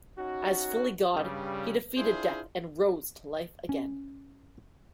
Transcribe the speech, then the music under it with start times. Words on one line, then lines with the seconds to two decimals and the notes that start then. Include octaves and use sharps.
As fully God, he defeated death and rose to life again.
0.18 C#4 D#4 F#4
1.14 G2 C#3 G3
1.96 D4 E4 F4 G#4 C5
3.69 C#4